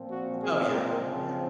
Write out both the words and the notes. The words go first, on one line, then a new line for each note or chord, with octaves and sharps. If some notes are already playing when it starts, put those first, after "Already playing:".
Oh yeah, oh yeah.
Already playing: A#2 F3 C4
F#4
A#2 G#3 C4 G#4
A#4
C#3 F3 C4